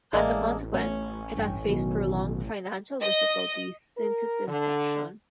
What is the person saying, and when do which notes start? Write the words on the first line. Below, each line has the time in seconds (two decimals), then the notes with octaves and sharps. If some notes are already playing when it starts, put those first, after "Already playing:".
As a consequence, it has faced prolonged financial difficulties since its inception.
0.13 A1 G#3 A#3 A4 D5 E5 F5
0.74 A3 C#4
1.35 C2 G2 G5
1.66 B2 D#3 F#3
3.01 D#5
3.97 A#4
4.48 D3